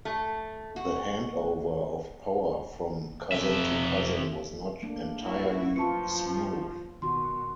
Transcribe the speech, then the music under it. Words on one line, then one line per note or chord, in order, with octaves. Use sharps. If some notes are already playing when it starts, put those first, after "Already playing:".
The handover of power from cousin to cousin was not entirely smooth.
A3
F#4
F2 E5
A3 A#3 D4
E4 F#4 E5
F#2 F3 F4 B4 A5 C#6 C#7
B2 D#3 F#4 C6